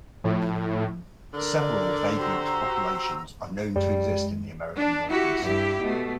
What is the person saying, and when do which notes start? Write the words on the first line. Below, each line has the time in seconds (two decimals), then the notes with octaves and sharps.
Several vagrant populations are known to exist in the American Northeast.
0.24 A2 F3
1.34 D3 A#4 D5
2.19 F#4 G4 C5 A#5 E6
3.76 F#2 G3 G#3
4.75 D4
5.09 E4 F#4 G4
5.42 G2 E4 G4
5.82 B2 A3